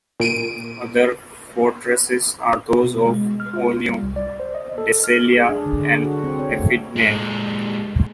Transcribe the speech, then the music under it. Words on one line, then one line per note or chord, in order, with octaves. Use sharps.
Other fortresses are those of Oenoe, Decelea and Aphidnae.
A#2 D7 D#7
B2
G#3
F6
F4
G3
C2
D5
C5
D#5
A4
F6
G#4
D4
D3
D3
F#4
C4
C#5
A3
A#2 G#3